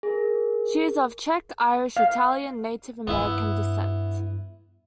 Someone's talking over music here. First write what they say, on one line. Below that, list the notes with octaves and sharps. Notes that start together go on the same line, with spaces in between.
She is of Czech, Irish, Italian and Native American descent.
G#4 A#4
F5
G2 B3 E4 E5